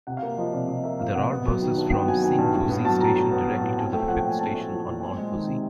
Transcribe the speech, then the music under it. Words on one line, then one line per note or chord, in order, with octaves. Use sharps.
There are buses from Shin-Fuji Station directly to the fifth Station on Mount Fuji.
C3 F#5
F5
A#3
F3 D#5
C3 D5
C3 D#5
A#3 E5
F3 F5
C3 F#5
B3
F#3
D#3
G2
B3 G5
F#3 G#5
D#3 G#5
G2
A2
B3
F#3 A5
A2 A#5
A2
B3
F#3
A2
C4 G#5
A3 G5
F3 F#5
A#2 G5
G#5
C4 A5
A3
F3
A#2
C4 G#5
G#3
D#3
C3